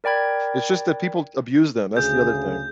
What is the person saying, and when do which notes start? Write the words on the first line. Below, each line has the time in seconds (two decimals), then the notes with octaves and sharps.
It's just that people abuse them, that's the other thing.
0.04 A#4 D5 G5 B5 G#6
1.97 D2 C#3 G#4 G6